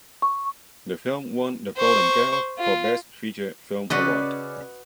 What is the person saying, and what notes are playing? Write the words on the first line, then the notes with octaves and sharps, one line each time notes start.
The film won the Golden Calf for Best Feature Film award.
C#6
C5 C#6
F4
C#3 C#4 F#4 B4 D5 D#5